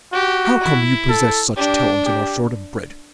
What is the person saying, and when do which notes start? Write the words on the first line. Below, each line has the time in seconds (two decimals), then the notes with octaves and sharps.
How come you possess such talent and are short of bread.
0.13 F#4 G4
0.61 E4
1.09 A4
1.57 D4 G4
2.06 G4